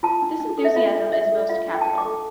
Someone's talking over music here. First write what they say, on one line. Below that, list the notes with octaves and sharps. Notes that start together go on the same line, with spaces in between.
This enthusiasm is most capital.
F4 A5
D4
D4
A4
E5
F4 F5
D4
D4 E5
A4
F4 F5
D4
G5
A5
D4 G5
D6
A4